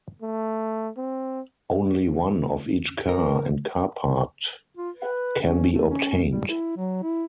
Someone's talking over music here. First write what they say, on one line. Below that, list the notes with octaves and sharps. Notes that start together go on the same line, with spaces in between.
Only one of each car and car part can be obtained.
A3
C4
A#4
F4
B4
C#4
A3
C#4
G3
E4
F#3
E4